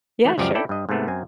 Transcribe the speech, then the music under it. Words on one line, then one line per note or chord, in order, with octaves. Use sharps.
Yeah, sure
E3 A3
C#2 F#2 F3 G4 D5 F5
E4 A4 D5 G5
G2 D#5
G#2 C3 A3 B3
F#2 C4 G#5